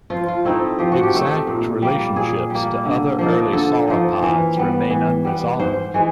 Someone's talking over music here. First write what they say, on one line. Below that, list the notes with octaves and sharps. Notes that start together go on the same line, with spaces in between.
Exact relationships to other early sauropods remain unresolved.
F3 F4
F4
A3 C4 D#4 E4
F3 G4
F#4
G4
A3 C4 D#4
A#2
G3 A#3
A#2 G#4
G3 A#3
D3
F3 A#3 D#4
D3 A4
F3 A#3 D#4
E3 A#4
G3 B3
E3
G3 B3
G#2 C5
E3 G#3